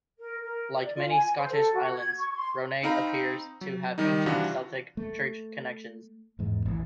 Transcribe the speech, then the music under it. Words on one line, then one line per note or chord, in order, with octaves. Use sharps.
Like many Scottish islands, Ronay appears to have ancient Celtic church connections.
A#4
A#4
D5
F4
G#5
C5
A4
F#4
G#6
C#6
C6
C4 D#4 F5 A#5 B5
F#3
D#3 G3 D#4
C3 E3 G3 D4 F4 F#4
A3
E2 G#2
A1 E3